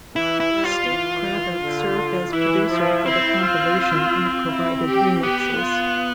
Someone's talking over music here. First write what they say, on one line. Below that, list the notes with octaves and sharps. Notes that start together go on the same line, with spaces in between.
Steve Kravac served as producer for the compilation and provided remixes.
E3 E4
E4
G3
F4
E3
D3
E3 E4
F3
C4 E4
F4
E4
G4
B3 G4
F4